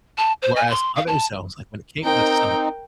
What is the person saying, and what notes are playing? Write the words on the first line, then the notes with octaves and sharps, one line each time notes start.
whereas other selves, like when it came to some
A5
C5
G#5
C6
F5
A5
C4 D#4 A#4 G5